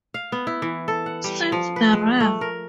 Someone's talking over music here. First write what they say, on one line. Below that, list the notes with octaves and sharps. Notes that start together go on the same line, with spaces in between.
Since the Rev.
F5
B3
E4
E3
A4
F#5
G3
F3
B4
G#3
A3
A#4